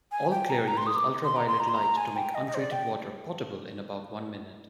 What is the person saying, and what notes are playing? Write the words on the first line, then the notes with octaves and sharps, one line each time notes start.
All Clear uses ultraviolet light to make untreated water potable in about one minute.
G#5
G5
A#5
G5
A#5
C6
D#6
D6
C6
A#5
C6
A#5
C6
A#5
G#5
G5
D#5
D#5
C5
D5
G5